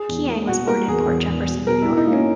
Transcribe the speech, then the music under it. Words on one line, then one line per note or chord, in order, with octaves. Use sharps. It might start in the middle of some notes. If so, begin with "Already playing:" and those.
Chiang was born in Port Jefferson, New York.
Already playing: G#4
E2
A#3
B2 F#4
A#3 A#4
E2 G#4
E2
E2
B2
B2 A#4
B2 E4
D#4
A#3 C#4